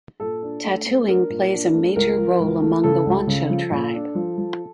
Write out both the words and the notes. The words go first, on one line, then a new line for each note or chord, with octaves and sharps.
Tattooing plays a major role among the Wancho tribe.
A#2 A4
D4
A3
A3
D4 A#4
A#2
D4
A3
C#2 A#4
F3
C#2
A3
C#3 A4
C#2
C#3
F3
A#2
D4
F3
F3